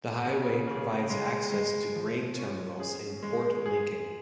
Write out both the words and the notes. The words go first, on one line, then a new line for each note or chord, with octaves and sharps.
The highway provides access to grain terminals in Port Lincoln.
C#3
C#3
G#3
G#3
F3
C#4
G#4
G#3
G#4